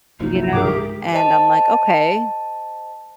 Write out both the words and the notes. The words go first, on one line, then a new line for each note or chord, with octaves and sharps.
You know, and I'm like, "Okay,
G1 C2 F3 A#3 D#4
E4
G2 B2 D3 G#4 A#4 G5 D6
G#3 G4
C5 D#5 A5